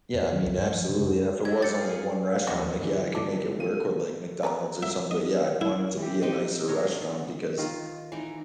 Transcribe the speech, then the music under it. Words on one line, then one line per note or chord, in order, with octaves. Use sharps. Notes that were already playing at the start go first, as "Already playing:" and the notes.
Yeah, I mean, absolutely, and if it was only one restaurant, like, yeah, I could make it work with, like, McDonald's or something, but, yeah, I'd want it to be a nicer restaurant because
F2
D#3
C2
G2
F3
C#3
F#2
F#3 D4 F4 E6 G#6
C#5 A6 C#7
G#4 F5
F5
D#1 F2 F#4 D#5
G2 D3 E3
D4
A3 D#7
B4 A5 A#5
E5
D#5
E4
E3 G4
C4 D#4 G4 D#5
D4 A#4 C#5
D#3 F4
E3 D#4